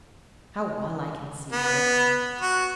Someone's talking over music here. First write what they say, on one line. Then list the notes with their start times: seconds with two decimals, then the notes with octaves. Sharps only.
How well I can see her!
1.52 B3
2.41 F#4